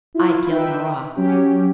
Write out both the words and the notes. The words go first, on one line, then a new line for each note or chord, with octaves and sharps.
"I killed Marat!"
E4 F4
D#4 B4 E5 G5
F#3 C#4 G4